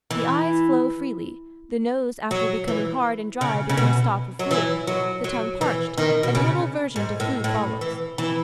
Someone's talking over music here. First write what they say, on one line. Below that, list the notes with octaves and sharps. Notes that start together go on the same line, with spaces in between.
The eyes flow freely, the nose after becoming hard and dry becomes stopped with fluid, the tongue parched, and total aversion to food follows.
E3
F#3
E3
C#3
C#3
B2
F#3
E3
F#3
F#3
E3
D#3
B2
C#3
G#2
A2
A2
E3
E3